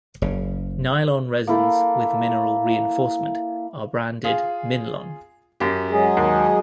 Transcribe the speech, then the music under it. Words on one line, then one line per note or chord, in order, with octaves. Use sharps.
Nylon resins with mineral reinforcement are branded 'Minlon'.
F#1 C#3
A#3 E4 A4
F4 G#4
F#2 G4
F#3 G#3 G#4
D#2